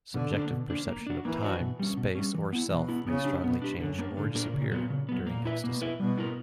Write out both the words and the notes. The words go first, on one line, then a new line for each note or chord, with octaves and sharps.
Subjective perception of time, space or self may strongly change or disappear during ecstasy.
B2 D3
A#3 D4
B2
A#3 D4
A#3
D4 F#4
E3 A#3
D4 F#4
B2
G3 C#4
B2
G3 C#4
E3
B3 E4
B2 E3
B3 E4
C#3 B3
D4 G4
B2 B3
D4 G4
F#2 D3
A#3 D4 A#4
A#2 D3
A#3 D4 A#4
C#3
F#3 B3
C#3
F#3 B3
A#2 A#3
E4 B4 E5
B2 A#3
E4 B4 E5
B2 G3
B3 E4 A#4